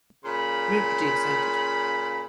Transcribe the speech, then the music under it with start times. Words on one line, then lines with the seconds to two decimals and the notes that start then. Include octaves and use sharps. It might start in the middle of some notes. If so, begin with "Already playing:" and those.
We're pretty excited.
0.25 A#2 C#3 B5